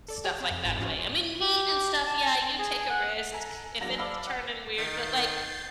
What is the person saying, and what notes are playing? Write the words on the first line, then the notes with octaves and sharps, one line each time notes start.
stuff like that away I mean, meat and stuff, yeah, you take a risk if it's turning weird, but, like,
A4 D5
G4 G#4 C#5 G#5
C4 B5
F2
G1 G#2 F4 B5 D7 E7
A2 F3 C#4 F4 F#4
G4
A5
G#4
F#5
A4 G#5 A#5
E2 F#3 A#3 D4 A#6
D5 F5 A5 B5 E6
F#5
D#3 G6 A6 C7